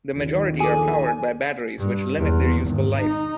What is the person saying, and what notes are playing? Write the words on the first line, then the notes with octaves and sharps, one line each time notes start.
The majority are powered by batteries which limit their useful life.
A#1 D#2
G#4 A4 G#5 D6
G2
E2
G#1
D#4